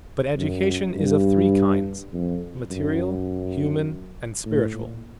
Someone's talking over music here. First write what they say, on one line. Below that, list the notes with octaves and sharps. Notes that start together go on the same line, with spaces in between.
But education is of three kinds: material, human and spiritual.
F#2
G2
F2
F#2
A2
A#2